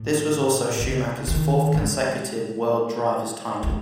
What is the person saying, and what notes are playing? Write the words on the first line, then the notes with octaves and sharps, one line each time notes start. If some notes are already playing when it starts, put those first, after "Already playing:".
This was also Schumacher's fourth consecutive World Driver's title.
Already playing: A2
C#3
D#3
G#3
G#3